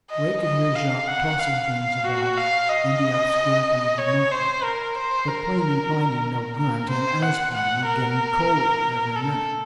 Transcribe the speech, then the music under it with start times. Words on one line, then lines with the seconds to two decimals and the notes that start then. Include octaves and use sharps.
Ray could hear Jacques tossing things about in the obscurity of the milk-room, but plainly finding no guns, and as plainly getting colder every minute.
0.10 D#5
0.42 D#5
0.75 F5
1.07 F#5
1.40 F5
2.04 F#4
2.37 F5
2.69 D#5
3.98 C#5
4.31 C5
4.63 A#4
4.95 C5
5.28 A#4
6.57 A#4
6.89 C5
7.22 F#5
7.55 F#5
7.86 A#4
9.16 A4